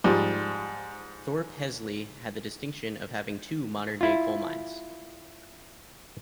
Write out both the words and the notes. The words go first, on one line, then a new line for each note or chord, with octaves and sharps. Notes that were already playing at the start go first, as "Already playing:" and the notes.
Thorpe Hesley had the distinction of having two modern-day coal mines.
G#2 F3 G3
E4 F4